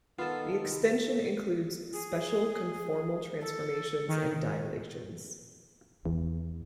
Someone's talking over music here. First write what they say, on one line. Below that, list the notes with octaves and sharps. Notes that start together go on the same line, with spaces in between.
The extension includes special conformal transformations and dilations.
D#3 B3 F4 A4
G#4
A4
D#3
E2